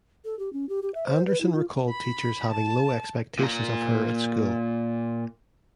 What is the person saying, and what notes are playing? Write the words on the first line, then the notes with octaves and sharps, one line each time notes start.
Anderson recalled teachers having low expectations of her at school.
A4
G4
C#4
G4
G4
E5
C5
B4
E4
F4
B5
A5
A#2 A#5